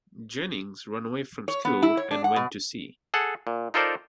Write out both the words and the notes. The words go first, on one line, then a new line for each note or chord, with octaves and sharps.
Jannings ran away from school and went to sea.
C#5
B3
E4
C#5
D4
F#5
B2
G#4 A4 F#5
A#2
D#4 F4 A4 A#4 C5 D5